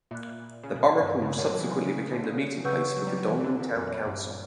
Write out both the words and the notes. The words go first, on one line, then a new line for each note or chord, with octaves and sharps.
The borough hall subsequently became the meeting place for Godalming Town Council.
A#2 E5 B5 F#6
C#3
B2
A#2
G2
A#2
C#3
D3 A#4 C#5 F#5
F#3
E3
C#3
C#3
C#3
D3
C#3
C#3 B4 F#5 C#6 E6 G6
F#3
G3
F#3
E3
E3
D3
A#2
F#2
A#2 C#5 E5 B5
A#2
G2